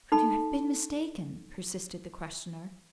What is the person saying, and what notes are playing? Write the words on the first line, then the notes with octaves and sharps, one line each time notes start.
"Could you have been mistaken?" persisted the questioner.
D#4 A4 B5